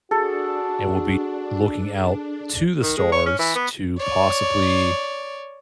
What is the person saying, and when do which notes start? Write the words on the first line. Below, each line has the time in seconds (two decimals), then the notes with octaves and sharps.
and we'll be looking out to the stars to possibly
0.11 D4 F#4 G#4 A4
2.82 D#3
2.97 G#3
3.12 C#5
3.26 C#4
3.39 E3
3.56 B3
3.99 C#5 D5